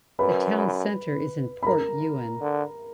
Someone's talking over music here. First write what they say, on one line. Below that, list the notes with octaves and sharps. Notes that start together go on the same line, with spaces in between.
The town center is in Port Ewen.
F#2 B4 B5
B5
A#4 A#5
D3